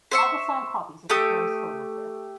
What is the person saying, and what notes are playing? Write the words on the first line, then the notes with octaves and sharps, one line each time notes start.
I will sign copies at the Paris Photo fair.
C5 E5 C#6
A3 G4 D#6 G6